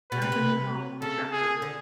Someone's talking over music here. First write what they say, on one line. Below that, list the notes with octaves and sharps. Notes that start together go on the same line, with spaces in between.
Anthony Hall chapter list.
B2 B4
C3
C3
C#3 A4
G#4
D3